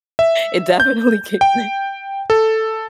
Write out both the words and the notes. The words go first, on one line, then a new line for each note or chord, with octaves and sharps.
it definitely kicked in.
E5
G6
G5
A4